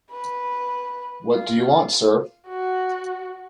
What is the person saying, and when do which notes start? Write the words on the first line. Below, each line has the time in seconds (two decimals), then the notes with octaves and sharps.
What do you want, sir?
0.11 B4
1.33 F4
2.48 F#4